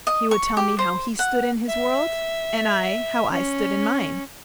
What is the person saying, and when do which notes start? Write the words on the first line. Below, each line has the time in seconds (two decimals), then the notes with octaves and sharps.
He would tell me how he stood in his world, and I how I stood in mine.
0.07 D#5
0.31 C#6
0.57 G4
0.79 C5
1.19 F#5
1.67 E5
3.31 C#4